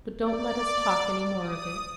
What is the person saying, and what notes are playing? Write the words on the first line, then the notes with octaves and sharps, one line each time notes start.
"But don't let us talk any more of it."
D5
D#6